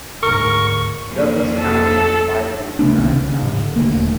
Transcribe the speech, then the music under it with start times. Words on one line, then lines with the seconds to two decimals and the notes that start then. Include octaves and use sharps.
Douglas County is divided into nine townships.
0.23 D2 G#2 A#4 C#6
1.08 F2 A#3 C#4
1.57 A4
2.79 C#3 A3 B3 D4
2.97 C2 D#3 A#3 C#4
3.14 C#3
3.42 G#2 D3
3.57 D3
3.76 D#1 D2 A#3